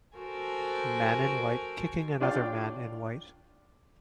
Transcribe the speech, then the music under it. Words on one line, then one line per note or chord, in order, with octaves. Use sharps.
Man in white kicking another man in white.
F#4 A4 A#4 C5 G#5
D4 F4 C#5 D5 F5 G5